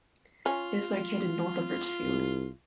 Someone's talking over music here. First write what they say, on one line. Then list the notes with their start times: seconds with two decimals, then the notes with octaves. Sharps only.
It is located north of Richfield.
0.46 C#4 F4
2.05 C2